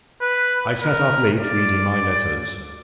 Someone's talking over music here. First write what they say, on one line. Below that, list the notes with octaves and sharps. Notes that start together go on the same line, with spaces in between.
I sat up late reading my letters.
B4
A#4
D5